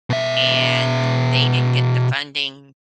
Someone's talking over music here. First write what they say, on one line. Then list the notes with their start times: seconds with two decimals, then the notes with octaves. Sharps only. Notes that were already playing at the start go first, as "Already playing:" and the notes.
and they didn't get the funding,
0.10 B2 E5